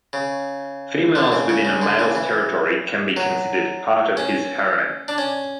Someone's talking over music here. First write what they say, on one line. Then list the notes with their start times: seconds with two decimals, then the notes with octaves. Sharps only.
Females within a male's territory can be considered part of his harem.
0.13 C#3
1.15 D3
1.32 C#3
1.49 C#3
1.65 C#3
1.82 D3
1.99 C#3
2.15 E3
3.17 F#3
4.17 C#4
5.08 D4
5.18 C#4